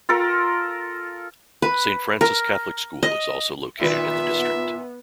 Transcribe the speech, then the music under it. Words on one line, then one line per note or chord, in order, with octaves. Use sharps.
Saint Francis Catholic School is also located in the district.
F4 A4 A#4
B4
A#4
D#5
A#2 D#3 B3 F4 B4 E5